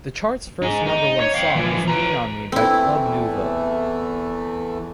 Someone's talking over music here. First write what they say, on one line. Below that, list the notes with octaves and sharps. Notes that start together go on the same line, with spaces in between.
The chart's first number one song was "Lean on Me" by Club Nouveau.
D#4 G#4
D#4
C#5
F5 G5
E3 F3
B4 A#5
E2 E3 A3 C4 E4